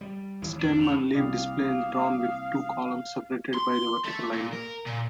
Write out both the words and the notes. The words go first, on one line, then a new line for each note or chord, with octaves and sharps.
The stem-and-leaf display is drawn with two columns separated by a vertical line.
G3
G#1 D#2 E3
A1 E2 C#4 D4
A2
C2 A#3 G4 D5 F5 D#6
C6
A3
A#2
A#4
A#2